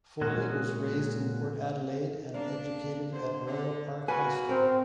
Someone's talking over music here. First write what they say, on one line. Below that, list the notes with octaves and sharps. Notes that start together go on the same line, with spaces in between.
Foley was raised in Port Adelaide and educated at Royal Park High School.
A#2 G#3 C#4 F#4
A#3 D4
D3 C5
D3
F#2 A#3 F#4 B4 G#5
C4 A#4 C5